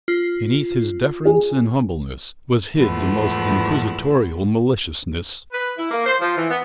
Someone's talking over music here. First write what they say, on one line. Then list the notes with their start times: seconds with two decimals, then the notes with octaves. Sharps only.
Beneath his deference and humbleness was hid the most inquisitorial maliciousness.
0.08 F4
1.25 G#4
2.75 E2 G#2 F3 A3 B3 E4
5.53 B4
5.78 E4
5.91 A#3
6.06 C5
6.20 F3
6.37 E3
6.50 B3